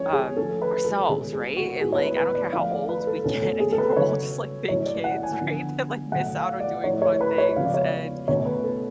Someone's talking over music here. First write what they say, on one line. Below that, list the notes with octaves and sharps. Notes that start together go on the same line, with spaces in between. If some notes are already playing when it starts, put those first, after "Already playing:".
um, ourselves, right? And, like, I don't care how old we get. I think we're all just, like, big kids, right, that, like, miss out on doing fun things, and
Already playing: F3 G#3 C#4 C#5
G#4
F3 A3 C#4 A4
B4
A4
B2 G#3 C#4 G#4
G#4
F#4
A2 G#3 B3 G#4
C#5
B4
B4
D5
F3 A3 C#4 F5
D5
B4
A4
B2 A3 C#4 A4
A4
G#4
A4
B4
C#3 F#3 C#4 C#5
A2 F#3 C#4 C#5
D5
F#5
G#5
D3 F3 B3
B2 F#3 A3 F#5
F5
D5
A2 F3 A3 C#4 C#5
C#5
B4
C#5
C#3 F3 G#3 B3 F5
D5
C#5
D5
B2 A3 C#4 C#5
B4
A4